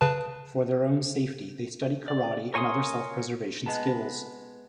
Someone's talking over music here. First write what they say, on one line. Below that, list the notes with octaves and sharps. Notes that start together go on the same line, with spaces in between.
For their own safety, they study karate and other self-preservation skills.
C#3 B4 A5
D5
A#4 C#5 G#5 C6 D#6
G#3 B3 A5